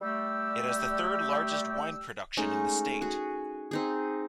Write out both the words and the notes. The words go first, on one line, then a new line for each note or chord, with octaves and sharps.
It has the third-largest wine production in the state.
G3 A3 G4 G5 E6
G#3 A3 C#4 D#4
F#4 G#4
C4 D#4 G#4